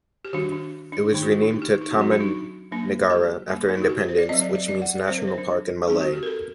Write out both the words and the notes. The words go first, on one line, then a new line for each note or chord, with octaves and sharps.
It was renamed to Taman Negara after independence, which means "national park" in Malay.
G4
D#3 G3 D4 F#4
D4
D4
D#3 A3 D4 D#4
F#4
D#4
D4
D#4
G4
D#4
D#4
F#3 C4 F#4
F#4
D4
D#4
F#3 A#3 D4
G4
G3 A#3 D4
D4
D#4
F#4
G4
A4
C5
D5
F#3 C4 D#5
D5
D5
D5
F#5
D5
F#3 C4 C5
A#4
C5
D4
G3 C4 D#4
F#4
G4
A#4
A4